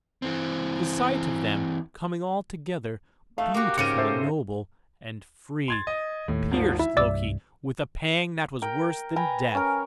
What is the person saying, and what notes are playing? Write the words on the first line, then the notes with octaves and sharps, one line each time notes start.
The sight of them coming all together--beautiful, and noble, and free--pierced Loki with a pang that was worse than death.
E3 C4
A3 D#4 F5
A#3 F#4 G4
G#2 C#3 A#4 D6 C#7 D#7
A4 C5 E5
C6 G#6 A6
D#5
D#2 A2
G#1 F3
E4 E5
C2 G2 D5 D6 E6
A#4 G5
B4 G5 G#5 A#5
C#4 A#4